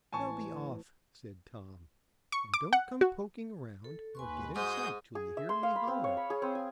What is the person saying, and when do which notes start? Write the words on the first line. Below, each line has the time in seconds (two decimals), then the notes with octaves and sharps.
"Now be off," said Tom, "and don't come poking around, nor get in sight, till you hear me holler."
0.13 A1 C4 G#5 A5 C#6
2.32 C#6
2.54 D6
2.73 F#5
3.01 F#4
3.84 A4
4.15 D#2 B4 G#5 C6 C#6
4.56 G#2 F#4 G#4 D#6 G6
5.15 G#4
5.37 E5
5.49 C6
5.63 F5
5.76 B5
5.88 C4
6.04 C#5
6.17 B5
6.30 G#4
6.42 C4
6.55 G#5